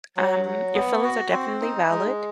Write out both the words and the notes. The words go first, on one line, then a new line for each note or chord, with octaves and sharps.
Um, your feelings are definitely valid.
F#3
F#3
B3
F#4
C4
D#4
G#3